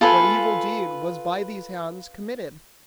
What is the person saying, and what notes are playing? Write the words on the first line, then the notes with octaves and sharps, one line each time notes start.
What evil deed Was by these hands committed?
F4 A4 B4 G#5